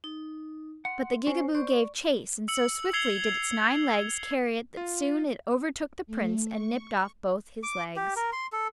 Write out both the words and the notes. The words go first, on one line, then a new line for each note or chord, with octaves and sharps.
But the Gigaboo gave chase, and so swiftly did its nine legs carry it that soon it overtook the Prince and nipped off both his legs.
D#4
F#5 C6
C#4 F#4 C5
C5 D5 C#6
E6 C#7 F#7
E6 G#6 C7 C#7 F7 G7
F4
A3
C#6
D6
G4
A#4
C6
A4